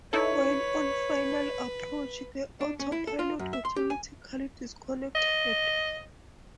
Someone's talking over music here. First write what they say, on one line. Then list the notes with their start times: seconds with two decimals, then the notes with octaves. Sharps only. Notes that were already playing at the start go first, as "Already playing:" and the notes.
While on final approach, the autopilot automatically disconnected.
0.13 D#4 E4 A4 B4 C#5
2.61 D4
2.80 C#4
2.92 E4
3.07 A4
3.19 F4
3.39 F#2
3.53 E5
3.65 C6
3.76 G4
3.90 G#5
5.15 D#5